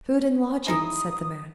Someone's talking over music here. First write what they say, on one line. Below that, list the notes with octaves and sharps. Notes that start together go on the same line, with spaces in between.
"Food and lodging," said the man.
G#3 D#4 E4 D#6